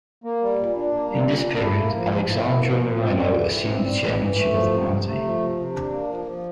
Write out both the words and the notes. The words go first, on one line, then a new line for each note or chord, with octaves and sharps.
In this period, Alexandra Moreno assumed the chairmanship of the party.
A#3
G3
A#2
D4
A#3
G3
A#2
D4
E4
A#3
F3
F3
E4
A#3
F3
F3
C4
G3
E3
E3
C4
G3
E3
E3
A3
F3
C3
C3
A3
F3
C3
C3
D4
A#3
F3
F3